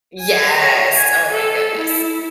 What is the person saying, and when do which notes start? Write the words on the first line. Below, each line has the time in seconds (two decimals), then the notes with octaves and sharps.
Yes. Oh, my goodness.
0.20 G#5
0.58 C#5
0.95 G#5
1.32 A4
1.76 E4